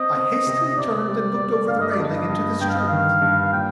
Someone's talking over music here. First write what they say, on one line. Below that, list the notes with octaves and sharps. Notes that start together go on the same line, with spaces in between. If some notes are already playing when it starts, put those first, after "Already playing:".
I hastily turned and looked over the railing into the street.
Already playing: C4 D#5
C4
C3
C3 D5
G3
G3
G2 F5
D#5
D5
G2 D#5
G2
G2 G5
F5
D#5
D#3 F5
G2
F5
A#2 G5